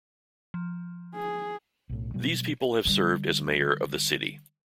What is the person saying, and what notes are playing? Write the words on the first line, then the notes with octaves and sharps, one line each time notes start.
These people have served as mayor of the city.
F3
G#4
B1 A2
B2 F#3 G3
D3 G3